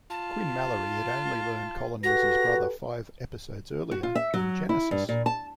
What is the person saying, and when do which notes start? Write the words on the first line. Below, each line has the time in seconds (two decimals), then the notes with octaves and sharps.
Quinn Mallory had only learned Colin was his brother five episodes earlier in "Genesis".
0.10 F4 A5
2.03 F#4 G4 A4 B4 A#6
3.91 F#4
4.03 F4
4.15 E5
4.34 F#3
4.69 E4
4.91 G2
5.09 A#2
5.26 A5